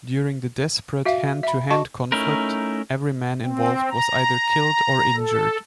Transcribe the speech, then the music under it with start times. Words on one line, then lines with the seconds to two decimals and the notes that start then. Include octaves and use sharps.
During the desperate hand-to-hand conflict, every man involved was either killed or injured.
1.05 F#4 E5 F5
1.43 E5 B5
1.71 F#4 D#5 A5 C#6
2.12 A3 C#4 D#4 E4 A#4
3.42 C4
3.90 A#5
5.16 A4